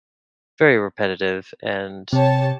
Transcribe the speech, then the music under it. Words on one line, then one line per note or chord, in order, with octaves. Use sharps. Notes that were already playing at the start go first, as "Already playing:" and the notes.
very repetitive and,
C3 G4 C#5 A5